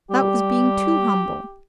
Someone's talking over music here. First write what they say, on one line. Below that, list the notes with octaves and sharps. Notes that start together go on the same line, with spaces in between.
That was being too humble.
G3 G4